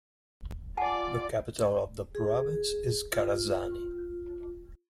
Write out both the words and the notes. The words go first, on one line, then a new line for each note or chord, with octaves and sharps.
The capital of the province is Charazani.
F4 D5 F#5 G#5 A5
G#4
F4